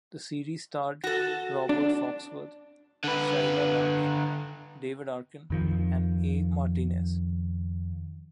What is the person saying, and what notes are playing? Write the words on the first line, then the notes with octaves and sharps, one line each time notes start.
The series starred Robert Foxworth, Sheila Larken, David Arkin, and A Martinez.
F#4 A4
D4
D3 B4
F2 D#3 F3